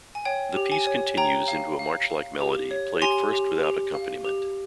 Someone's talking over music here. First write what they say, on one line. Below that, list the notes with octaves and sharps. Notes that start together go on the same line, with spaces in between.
The piece continues into a march-like melody played first without accompaniment.
G#5
C#5 G5
G4
G#5
C#5
C#5 G5 A#5
F5
F5
F5
G4
C#5
G4 G#5 C6
G4
G4
F5
G4